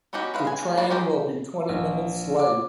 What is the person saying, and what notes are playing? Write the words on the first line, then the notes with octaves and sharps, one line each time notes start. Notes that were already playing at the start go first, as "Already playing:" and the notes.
The train will be twenty minutes late.
B3 C#4 D#4 F#4 G4
G#3 B4 F5
G#5
G#5
A#3 F#4 B4 D5
G#3 C#4 G4 A#4 C5
A#1
D6